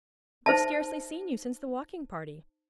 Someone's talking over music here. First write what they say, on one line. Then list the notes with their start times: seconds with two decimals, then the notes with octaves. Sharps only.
We have scarcely seen you since the walking party.
0.46 D#4 C5 E5 A5